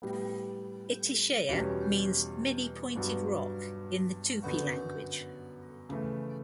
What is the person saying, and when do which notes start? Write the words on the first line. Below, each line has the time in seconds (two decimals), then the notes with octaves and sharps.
Itatiaia means "many-pointed rock" in the Tupi language.
0.02 A2 G3 B3
1.49 E2 B2 G3 C#4
2.96 G2 F#3 B3 F#4
4.42 F#2 D3 F#3 B3 F#4
5.89 C#3 E3 A3